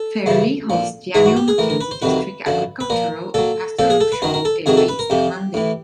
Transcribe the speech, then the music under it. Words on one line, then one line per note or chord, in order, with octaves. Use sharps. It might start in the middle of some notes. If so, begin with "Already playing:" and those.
Fairlie hosts the annual Mackenzie District Agricultural and Pastoral show every Easter Monday.
Already playing: A4
F#2 C#3 E3
A#2 F3
G#2 E3 G#4
F#4
G4
G#4
A2 E3 A#4
A#4
B4
C5
F2 C3 D#3 F#3 B4
F#2 D3 F3
B4
A#2 F3 A#4
A#2 F#3 A4
A#2 F3 A4
G#4
A4
B4
F#2 D#3 F#3 A#4
A#4
A4
F2 C3 D#3 F#3 G#4
A4
B4
A#4
F2 C3 F3 G4
A2 E3